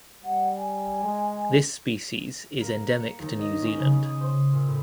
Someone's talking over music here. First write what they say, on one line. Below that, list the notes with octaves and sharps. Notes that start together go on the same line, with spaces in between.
This species is endemic to New Zealand.
G3 F#5
G#5
G#3
A#3
C#7
D#2
D#5
C#4
C#3
D#6
C5
A#2
A2